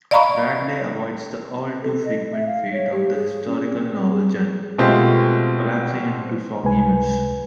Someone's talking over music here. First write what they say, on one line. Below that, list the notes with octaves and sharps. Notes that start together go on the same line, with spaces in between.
Bradley avoids the all-too-frequent fate of the historical-novel genre: collapsing into a soggy mess.
D5 D#5 F5 A#5 B5 C#6
A4
D#5
E5
F5
C#5
G4
G#4
C#4
C4
G#4
B2 G#3 A3 C4 F4 G4
C#2 C3 G#3 B4 G#5